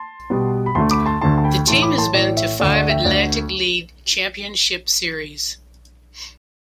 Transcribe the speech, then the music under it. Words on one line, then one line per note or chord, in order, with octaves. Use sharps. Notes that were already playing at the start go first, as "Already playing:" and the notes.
The team has been to five Atlantic League Championship Series.
Already playing: A5 C6
B2 G3 B3
B5
D2 D3 A3 A5 C6
B5 D6
A5 C6
D2 D3 A3 A5 C6
A5
G5 B5
A2 E3 A3 A5 C6
B5 D6
A5 C6
A2 E3 A3 D5
E5
D2 D3 A3 D5 F#5
D5 F#5
E5 G5
D2 D3 A3 D5 F#5